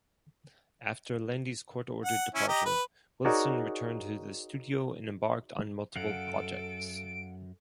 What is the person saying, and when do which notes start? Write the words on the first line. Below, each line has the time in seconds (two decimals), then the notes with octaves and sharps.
After Landy's court-ordered departure, Wilson returned to the studio and embarked on multiple projects.
2.05 F#5
2.35 C#4 E4
2.48 G4 D#5 A#5
2.66 B4
3.25 D#4 F#4 G#4 A#4 C#5 D5
5.96 F#2 A4 F5 F#5 D7